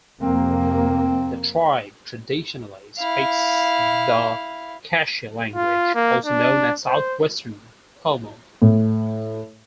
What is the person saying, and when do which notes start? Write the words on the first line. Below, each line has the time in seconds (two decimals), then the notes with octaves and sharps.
The tribe traditionally speaks the Kashaya language, also known as Southwestern Pomo.
0.21 F2 C3 A#3 C4
2.98 E4 F5
5.56 F4
5.95 A#3
6.25 D4
6.86 C5
8.62 A2